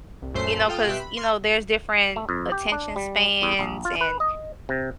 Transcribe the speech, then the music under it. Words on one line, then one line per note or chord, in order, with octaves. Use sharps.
you know, 'cause, you know, there's different attention spans and,
C2
F#2 A#2 A3 C5 C6 C7
F4 A4 F5 G5 D#6
B2 G4 E5 C6 F#6
B5
C6 F6 G#6
A3
F2
G4
D4
G3
E2
A#1
F4
B4
D#5
C3